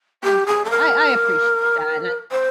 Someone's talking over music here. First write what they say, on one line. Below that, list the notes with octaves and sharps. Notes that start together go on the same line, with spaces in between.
Thank you. I I appreciate that, and I
G4
G#4
A4
A#4
C5